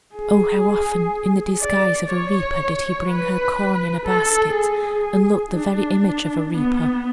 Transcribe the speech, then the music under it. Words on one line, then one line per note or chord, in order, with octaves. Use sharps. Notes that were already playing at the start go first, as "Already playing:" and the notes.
O how often, in the disguise of a reaper, did he bring her corn in a basket, and looked the very image of a reaper!
G#4
D5
C#5
B4
A4
G#4
D4
B3